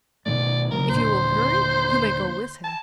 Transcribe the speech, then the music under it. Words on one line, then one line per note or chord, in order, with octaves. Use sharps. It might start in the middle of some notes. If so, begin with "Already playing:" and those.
If you will hurry, you may go with him!
B2 D#3 A3 D5
C#3 F#3 A#3 A#4
D#2 A#2 D3 C5
A5